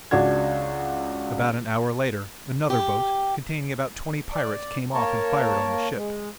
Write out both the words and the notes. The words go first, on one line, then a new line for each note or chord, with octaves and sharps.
About an hour later another boat, containing about twenty pirates, came off and fired on the ship.
C#2 D4 F#4 G#6
G4
D5
A#3 A#4 C#5 A5
G#3